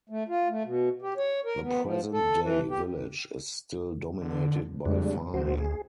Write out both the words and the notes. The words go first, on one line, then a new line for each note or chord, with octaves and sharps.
The present day village is still dominated by farming.
A3
F4
A3
B2
G4
C#5
A#4
B3
F3
A4
E3
G4
D3
F2 G3 G#3 D4
D2 F#4 C5
G#4